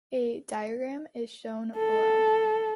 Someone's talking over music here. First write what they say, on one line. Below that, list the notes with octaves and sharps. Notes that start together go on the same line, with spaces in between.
A diagram is shown below.
A4